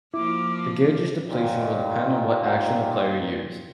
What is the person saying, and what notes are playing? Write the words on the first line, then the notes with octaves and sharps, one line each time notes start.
The gauge's depletion will depend on what action the player used.
F3 A#3 E4 D6
D#2 A#2